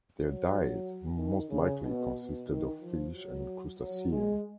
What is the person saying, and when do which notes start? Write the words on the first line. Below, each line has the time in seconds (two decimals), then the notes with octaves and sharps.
Their diet most likely consisted of fish and crustaceans.
0.19 F#3
1.17 D#3
1.49 C#3
1.82 B2
2.15 B2
2.47 D#3
2.80 F3
3.13 F#3
3.78 F#3
4.10 G#3